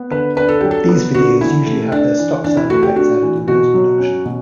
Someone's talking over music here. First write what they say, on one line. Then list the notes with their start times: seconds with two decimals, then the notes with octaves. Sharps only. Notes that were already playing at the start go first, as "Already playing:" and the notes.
These videos usually have their stock sound effects added in post-production.
Already playing: B3
0.11 D3 B4
0.37 D4 B4
0.49 A4
0.61 F#3 G4
0.71 A4
0.89 B3
1.14 D3 F#4
1.41 E3 E4
1.66 A3
1.92 D4
2.19 E3
2.44 E3 D4
2.57 E4
2.70 A3 F#4
2.83 G4
2.96 D4 F#4
3.22 E3
3.48 B2 F#4
3.74 F#3
3.99 C#4
4.26 B2